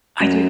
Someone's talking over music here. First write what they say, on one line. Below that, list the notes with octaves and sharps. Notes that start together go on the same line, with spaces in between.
I do
F#2